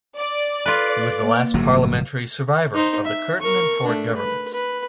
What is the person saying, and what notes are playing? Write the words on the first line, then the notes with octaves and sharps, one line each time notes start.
He was the last parliamentary survivor of the Curtin and Forde governments.
D5
F4 A4 B4
A#3
G1 A2 F#3
D#4 C5
E5
A#4 C#6
A3 D4
B4
B4